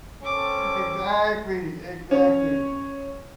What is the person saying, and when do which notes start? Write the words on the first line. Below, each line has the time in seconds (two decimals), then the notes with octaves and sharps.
Exactly, exactly.
0.23 C4 C#4 A4 D6
2.11 C#4 C#5